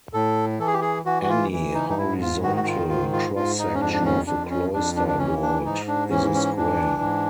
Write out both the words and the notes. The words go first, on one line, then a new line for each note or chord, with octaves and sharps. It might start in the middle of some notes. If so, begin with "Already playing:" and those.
Any horizontal cross-section of a cloister vault is a square.
A2 A4
E3 A4
G#4
G4
G#4
E3 F#4
F#4
F4
E3
D#4
D#4
G#2 E4
F4
D#3 F#4
F#4
F4
G#2 F4
F4
G#2 F4
D#4
C#4
F2 D4
D4
C#4
F2 D4
C#4
F2 D4
D4
D4
E3 C#4
D4
G#2 D#4
D4
E3 C#4
C#4
E3 D4
G#2